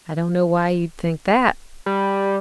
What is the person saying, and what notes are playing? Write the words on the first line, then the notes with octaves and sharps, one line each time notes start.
"I don't know why you'd think that."
G3